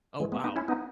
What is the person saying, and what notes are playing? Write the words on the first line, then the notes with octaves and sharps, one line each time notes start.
Oh, wow.
E3 G#3
G#3 B3
B3 D#4
C#4 E4
B3 D#4